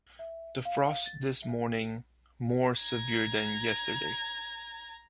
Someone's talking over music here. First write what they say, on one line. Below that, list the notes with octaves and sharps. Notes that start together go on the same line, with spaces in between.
The frost this Morning more severe than Yesterday.
E5
F5
A6
E5
A#5 G#6